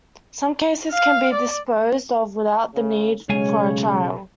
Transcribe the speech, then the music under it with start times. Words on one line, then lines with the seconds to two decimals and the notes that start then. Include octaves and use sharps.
Some cases can be disposed of without the need for a trial.
0.92 F5
1.33 D5
2.74 C#3
3.29 B1 C#3 G#3 C#5 F5 G#5